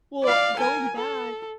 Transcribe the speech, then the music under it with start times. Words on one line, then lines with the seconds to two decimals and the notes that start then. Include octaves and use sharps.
Well, going back
0.23 D5 F5
0.57 A#4 G#5
0.95 A4